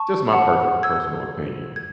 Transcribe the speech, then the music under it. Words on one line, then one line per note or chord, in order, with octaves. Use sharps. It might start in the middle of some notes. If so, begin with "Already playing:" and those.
Just my perfe personal opinion.
Already playing: A5 C#6
F#5 A5
E6 G#6
G#6